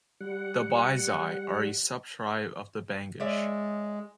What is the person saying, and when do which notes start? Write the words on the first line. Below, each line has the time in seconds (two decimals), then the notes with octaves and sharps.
The Baizai are a sub-tribe of the Bangash.
0.21 G3 F#5
3.20 G#3 C#5 D5 E5